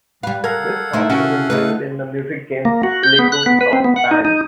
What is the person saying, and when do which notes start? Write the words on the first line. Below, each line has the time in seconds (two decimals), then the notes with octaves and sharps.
This song is included in the music game "Lego Rock Band".
0.23 G3 B4 F5
0.44 A4 A#4 F5 F#5 G#6
0.93 A3 D#4 E4
1.10 C3 C#4 E4 F#4
1.50 A3 D#4 E4 B4
2.65 A#3
2.83 F#4
3.03 G6
3.19 B3
3.32 F#6
3.46 B3
3.61 B4
3.73 C4
3.84 B3
3.96 F#5
4.11 D#4
4.25 D#4